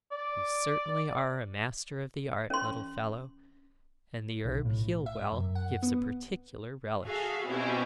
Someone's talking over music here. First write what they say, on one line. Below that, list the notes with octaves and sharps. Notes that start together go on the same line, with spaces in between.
'You certainly are a master of the art, little fellow, and the herb heal-well gives a particular relish.'
D5
C#4 C6
B1
A2
E5
F#2
F#5
B3
F#4 G#4 A4 E5 F5
B2 C4 C#4 E4 G4